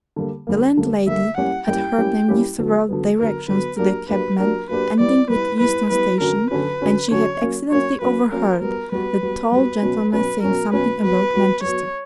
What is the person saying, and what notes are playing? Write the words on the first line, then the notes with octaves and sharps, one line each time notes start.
The landlady had heard them give several directions to the cabman, ending with Euston Station, and she had accidentally overheard the tall gentleman saying something about Manchester.
D3 G3 A#3
D3 G3 A#3
D3 G3 A#3
D3 G3 A#3 E5
G3 A#3 C#4 E4 G4 F#5
G3 A#3 C#4 E4 G4 G5
G3 A#3 C#4 E4 G4
G3 A#3 C#4 E4 G4
D3 F#3 B3
D3 F#3 B3
D3 F#3 B3 A#4
D3 F#3 B3 B4
F#3 A#3 D4 G4 A#4
F#3 A#3 D4 G4 B4
F#3 A#3 D4 G4 A#4
F#3 A#3 D4 G4 B4
G3 B3 E4 D5
G3 B3 E4 B4
G3 B3 E4 B4
G3 B3 E4 B4
D3 F#3 C#4 F#4 A#4
D3 F#3 C#4 F#4 B4
D3 F#3 C#4 F#4
D3 F#3 C#4 F#4 C#5
F#3 A#3 C#4
F#3 A#3 C#4 C#5
F#3 A#3 C#4 B4
F#3 A#3 C#4 A#4
G3 B3 F#4 A#4
G3 B3 F#4 B4
G3 B3 F#4
G3 B3 F#4 B4
B2 F#3 C#4 F#4
B2 F#3 C#4 F#4 B4
B2 F#3 C#4 F#4 A#4
B2 F#3 C#4 F#4 B4
F#3 B3 F#4 B4
F#3 B3 F#4
F#3 B3 F#4 C#5